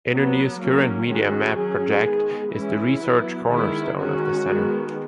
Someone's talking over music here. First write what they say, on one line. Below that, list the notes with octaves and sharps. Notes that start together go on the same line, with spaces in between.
Internews' current Media Map project is the research cornerstone of the Center.
F#3 B3
F#3 A#3 C#4
D#3 G#3 C#4 F#4
F#3 C#4 G#4
D#3 G#3 B3
E3 G#3 C#4 E4
F#3 B3
D#3 G#3 B3 E4
D#3 G#3 C#4 F#4
D#3 G#3 B3